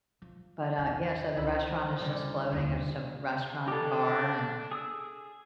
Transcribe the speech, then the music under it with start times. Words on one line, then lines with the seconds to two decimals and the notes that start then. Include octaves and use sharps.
But uh, yeah, so the restaurant is just floating, it's a restaurant and bar, and
0.22 F3
0.78 E2 D#3
1.37 C#2 D#3 E4 C5 B5
2.00 D2 C#3 G3 D5
2.53 D#2 E4
3.68 D4 G4 A4 D#5 D6
4.71 G#4 D#6 E6